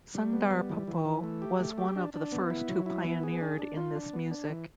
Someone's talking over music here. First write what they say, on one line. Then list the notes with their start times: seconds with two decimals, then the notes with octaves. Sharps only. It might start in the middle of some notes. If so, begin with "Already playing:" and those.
Sundar Popo was one of the first who pioneered in this music.
0.15 G3
0.33 B3
0.51 G3
0.69 E3
0.87 E3
1.05 E3
1.24 A3
1.42 G4
1.59 A3
1.78 G4
1.96 D4
2.14 D4
2.32 B3
2.50 E4
2.69 F#3
2.86 E4
3.05 B3
3.23 G#4
3.41 D4
3.59 D4
3.77 F4
3.95 D4
4.13 B3
4.31 D4
4.49 E3